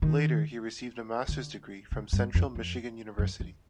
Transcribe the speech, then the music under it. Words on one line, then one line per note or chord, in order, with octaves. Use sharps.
Later he received a master's degree from Central Michigan University.
D#3
D3
C#3
G2
F2
F2
F#2
F2